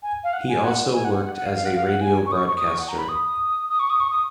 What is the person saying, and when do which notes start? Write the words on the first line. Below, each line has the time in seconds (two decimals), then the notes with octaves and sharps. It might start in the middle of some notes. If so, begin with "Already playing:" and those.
He also worked as a radio broadcaster.
0.03 G#5
0.24 F5
0.33 F#5
0.49 G#5
0.64 F#5
0.94 G#5
1.05 F#5
1.15 F#5
1.25 F#5
1.35 F#5
1.45 F5
1.56 F5
1.65 F#5
1.75 F5
1.87 F#5
2.01 G#5
2.26 C#6
2.32 D#6
2.37 C#6
2.48 C#6
2.57 D#6
2.67 C#6
2.78 F#5
2.89 A#5
2.98 B5
3.09 D#6
3.69 D#6
3.80 C#6
3.90 D#6
4.00 C#6
4.10 D#6